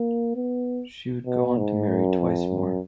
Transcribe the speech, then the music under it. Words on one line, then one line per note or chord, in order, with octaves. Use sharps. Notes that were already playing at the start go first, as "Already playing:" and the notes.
She would go on to marry twice more.
Already playing: A#3
B3
B2
G#2
F#2
F2
F#2